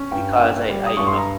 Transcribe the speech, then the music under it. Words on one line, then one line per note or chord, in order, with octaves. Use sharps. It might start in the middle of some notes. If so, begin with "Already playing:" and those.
because I I you know,
Already playing: C#4
G2 G5
C#4
G3
D#6
G2 C#6
C6
A#5